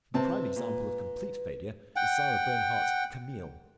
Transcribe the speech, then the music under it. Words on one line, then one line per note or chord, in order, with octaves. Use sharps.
The prime example of complete failure is Sarah Bernhardt's Camille.
C3 C4 B4 A5
A#2
F#5 G5